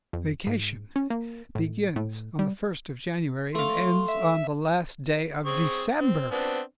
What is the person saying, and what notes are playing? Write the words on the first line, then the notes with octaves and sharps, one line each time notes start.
Vacation begins on the first of January and ends on the last day of December.
F2
G#2
C#4
A#3
A2
A2
G3
A3 F5 C6
E5
C4 G#4 C#6
C4
B3 C4 D4